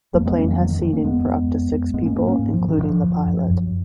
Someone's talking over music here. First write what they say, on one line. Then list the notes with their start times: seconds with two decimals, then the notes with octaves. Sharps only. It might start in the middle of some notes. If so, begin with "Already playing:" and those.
The plane has seating for up to six people including the pilot.
0.14 F2 F#3 A#3
0.26 G#3 B3
0.37 F2 A#3 C#4
0.48 F#3 A#3
0.59 F#2 D#3 F#3
0.70 D#3
0.81 F#2 D#3 F#3
0.93 A#3 C#4
1.04 F2 G#3 B3
1.27 F2
1.49 F2
1.72 F2
1.94 G#2 G#3 B3
2.05 A#3 C#4
2.16 G#2 A#3 C#4
2.28 A#3 C#4
2.39 G#2
2.53 F3
2.61 G#2
2.68 D#3
2.79 D#3
2.83 F#2 F3
3.06 F#2
3.28 F#2
3.51 F#2